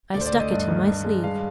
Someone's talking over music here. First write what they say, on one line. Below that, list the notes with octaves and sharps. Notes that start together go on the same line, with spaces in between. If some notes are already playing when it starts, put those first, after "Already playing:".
'I stuck it in my sleeve.'
D2 D5
C5
D5
D2
D#5
G2
D#3
G2
G#3
G2 F5